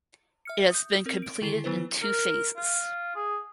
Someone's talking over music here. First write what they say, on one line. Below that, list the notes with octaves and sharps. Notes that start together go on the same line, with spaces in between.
It has been completed in two phases.
E5 F6 C#7
D#6 G6
C4 A#4
D7
D3 D#3 E4 G#4 A4 C7
D#3 F#3 B3 E4 B4 C5
A#4
F4
G#4